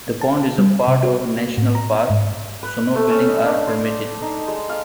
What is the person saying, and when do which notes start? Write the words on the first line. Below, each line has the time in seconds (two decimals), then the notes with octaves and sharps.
The pond is part of a national park, so no buildings are permitted.
0.21 A5
0.58 G3
0.88 C3
1.03 F#4
1.58 A2
1.75 A#5
2.10 G#2
2.63 B4
2.95 A3
3.10 C#4
3.28 D#5
3.45 D4
3.67 C5
4.21 D#4
4.48 G#3
4.69 F5